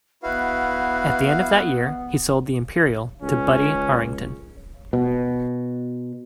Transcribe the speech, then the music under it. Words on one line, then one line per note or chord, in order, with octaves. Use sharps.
At the end of that year he sold the Imperial to Buddy Arrington.
B3 E4 F#4 B4 F5
C#2 C#4
B2